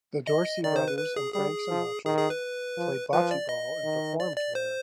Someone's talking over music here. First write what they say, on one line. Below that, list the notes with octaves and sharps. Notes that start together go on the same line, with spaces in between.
The Dorsey Brothers and Frank Sinatra played bocce ball and performed there.
D#5
D#3 D5
C5
B4
B4
G#4
G3 G#4
F3
D#3 G#4
G#4
B4
F3
F3 B4
D5
D#5
D#3
D5
D5
C5